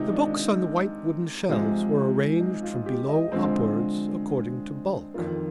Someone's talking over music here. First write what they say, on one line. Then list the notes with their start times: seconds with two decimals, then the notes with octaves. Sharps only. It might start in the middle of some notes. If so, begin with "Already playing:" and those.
The books on the white wooden shelves were arranged from below upwards according to bulk.
Already playing: C3 D#3 G#3 D#4 F4
0.11 D4
0.25 D4
0.35 D#4
1.49 C3 F3 G#3
2.40 D#4
2.63 F4
2.75 F4
2.86 G4
3.09 D#5
3.32 D3 F3 G#3 C4
5.14 F2 D#3 A#3 F4